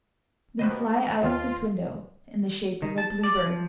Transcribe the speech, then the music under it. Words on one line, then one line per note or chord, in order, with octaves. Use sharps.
"Then fly out of this window, in the shape of a Blue Bird."
D#2 B2 B4 C5 D#5
G#2
D#2 F4
D#3
A5
D5
F3